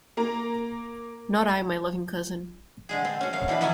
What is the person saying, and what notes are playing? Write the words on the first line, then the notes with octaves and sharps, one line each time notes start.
Not I, my loving cousin!
A#3 A#5
D3 G#3 G#4
C4 C6
C#4 F#4
F#2 F5
B2 E3 D4 B5
F2 F#3 B3 C#4 E4 G#5